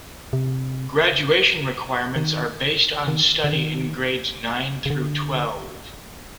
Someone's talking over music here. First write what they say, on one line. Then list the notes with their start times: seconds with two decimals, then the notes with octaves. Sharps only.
Graduation requirements are based on study in grades nine through twelve.
0.33 C3
2.16 D#3
3.08 D#3
3.44 D3
3.53 D#3
4.86 C#3
4.90 D3